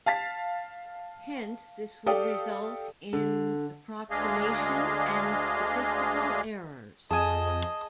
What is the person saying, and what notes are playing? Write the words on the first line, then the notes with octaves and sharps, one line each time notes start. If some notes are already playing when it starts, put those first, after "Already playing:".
Hence, this would result in approximation and statistical errors.
F5 A5 A6 B6
G4 A4 D5 F5 G5 D#6
D3
D2 G#3 D4 G#4 D#5 F5
F2 G#4 D#5 G#5 A5 D#6